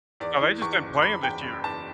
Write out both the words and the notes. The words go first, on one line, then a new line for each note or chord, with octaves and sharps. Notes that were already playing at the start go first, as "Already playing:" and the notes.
No, they just didn't play him this year.
E2 D5
E3
E2 C#6
F#1
E2 B5
E2 G5
F#1
E2 A5